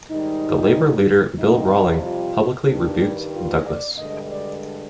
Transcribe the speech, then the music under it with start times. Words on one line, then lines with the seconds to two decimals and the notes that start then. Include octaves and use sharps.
The Labour leader Bill Rowling publicly rebuked Douglas.
0.10 G#2 D#3 G3 D#4
1.38 F2 C3 G3 D#4
2.04 F4
2.68 G2 D#3 G3 D4
3.33 F4
3.65 D5
3.98 G2 D3 G#3 D#5
4.31 D5